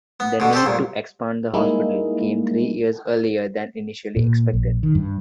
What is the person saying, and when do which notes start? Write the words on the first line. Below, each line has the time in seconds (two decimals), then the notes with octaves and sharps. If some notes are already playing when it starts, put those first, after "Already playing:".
The need to expand the hospital came three years earlier than initially expected.
0.20 B3
0.40 B2 D3
0.53 G4 A4 C5
0.66 C2 A#2
1.54 G3 G#3 A#3 D#4 E4 G#4
4.16 A#2
4.53 A#1
4.83 D#3
4.95 G2